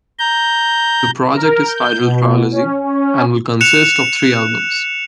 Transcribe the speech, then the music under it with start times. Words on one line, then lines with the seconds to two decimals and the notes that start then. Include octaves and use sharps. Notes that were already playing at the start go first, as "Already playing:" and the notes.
The project is titled "Trilogy" and will consist of three albums.
0.19 A#5 G6
1.33 A#4
1.67 G6
2.00 B2
2.51 C#4
2.84 C#4
3.61 F#6 C#7 E7 F7